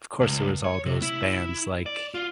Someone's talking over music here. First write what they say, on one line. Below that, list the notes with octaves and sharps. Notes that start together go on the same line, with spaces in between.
of course, there was all those bands like
C#2
C#5
C3
E4
D5
F4